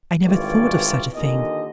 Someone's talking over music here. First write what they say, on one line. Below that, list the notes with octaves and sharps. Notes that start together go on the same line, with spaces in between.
'I never thought of such a thing.'
G#1 G2 E3 F4 C#5 D5
D#2 A#2 D3 D#5